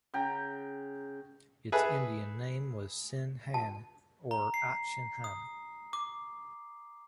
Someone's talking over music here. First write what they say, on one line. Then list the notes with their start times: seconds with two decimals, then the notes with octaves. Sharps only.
Its Indian name was Sinne-Hanne or Achsin-Hanne.
0.14 C#3 G5 A#5
1.72 G#4 A4 B4 E5 G#5
3.54 A5
4.31 A#5
4.54 C7
5.24 D#6
5.93 D6